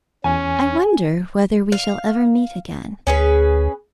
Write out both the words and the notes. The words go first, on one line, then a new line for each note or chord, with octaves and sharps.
I wonder whether we shall ever meet again?
E2 C#4 G#5
F5
D2 C#4 G#4 B4